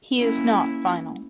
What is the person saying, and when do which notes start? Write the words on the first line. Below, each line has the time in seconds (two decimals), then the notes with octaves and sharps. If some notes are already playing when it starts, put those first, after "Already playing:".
He is not final.
0.16 A#3 C#4 E4